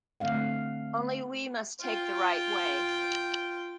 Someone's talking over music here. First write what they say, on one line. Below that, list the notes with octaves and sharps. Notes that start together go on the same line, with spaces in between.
Only we must take the right way.
D3 A3 C4 F5 F#5
F4 G5